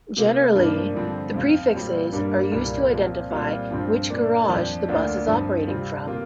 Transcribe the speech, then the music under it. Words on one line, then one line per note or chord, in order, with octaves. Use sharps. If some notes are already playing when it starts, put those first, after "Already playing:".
Generally, the prefixes are used to identify which garage the bus is operating from.
C3 A#3 F4
G2 F3 A#3 D4 F4
G2 D3 F3 C4
F2 F3 C4 F4
A#2 G3 C4 F4
G2 G3 A#3
C2 A#2 G3 A#3 F4
A#2 F3 C4 F4
A#2 G3 C4 F4
G2 F3 C4 F4
A#2 A#3 D4
F2 F3 D4
D2 D3 A#3 D4 F4
G2 F3 C4
C3 G3 C4 F4
C3 A#3 F4